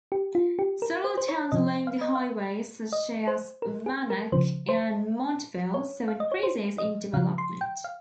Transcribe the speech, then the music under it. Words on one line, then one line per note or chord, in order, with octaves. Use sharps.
Several towns along the highway, such as Wanaque and Montville, saw increases in development.
G4
F4
G4
A#4
C5
C5
C#5
C3 F3 D#5
F5
D#5
F5
D#5
C5
A#4
G#4
A#4
C#3 F3 C5
C5
C#5
F5
D#5
C#5
C5
D#5
C#3 F3 F5
C6
G5
F5